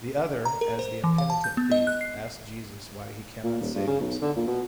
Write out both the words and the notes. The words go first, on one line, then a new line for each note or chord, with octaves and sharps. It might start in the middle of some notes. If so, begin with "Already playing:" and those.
The other, as the impenitent thief, asks Jesus why he cannot save himself.
A#5
A#4
C5
E3
F5
A5
G6
B3
D#5
F#6
C7
A#2
D#1
G2
C#3
B1
D3
A#2
B2